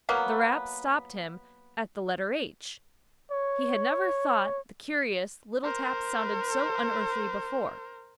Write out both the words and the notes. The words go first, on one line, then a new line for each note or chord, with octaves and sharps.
The rap stopped him at the letter H. He had never thought the curious little taps sounded so unearthly before.
F#3 A#3 B3
C#5
A#4 C5